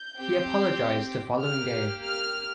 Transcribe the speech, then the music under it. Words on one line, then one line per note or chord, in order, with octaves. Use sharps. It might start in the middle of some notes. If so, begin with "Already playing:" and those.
He apologised the following day.
Already playing: G6
C4 G4
A#3 G4 F6
F6